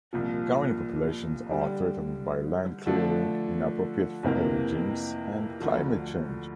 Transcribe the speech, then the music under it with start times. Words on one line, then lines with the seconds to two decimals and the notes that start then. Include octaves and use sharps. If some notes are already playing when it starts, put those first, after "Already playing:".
Current populations are threatened by land clearing, inappropriate fire regimes and climate change.
0.13 C2 A#2 F3
1.49 D3 G3 D4 G4
2.86 D3 F3 A3 D4
4.23 F2 C3 E3 A#3
5.60 D2 D3 F3